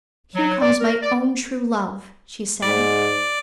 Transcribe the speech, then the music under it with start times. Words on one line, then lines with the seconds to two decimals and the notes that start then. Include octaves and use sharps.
"Here comes my own true love," she said.
0.35 F#3
0.61 D5
0.81 A#4
1.02 D5
2.62 G#2 D5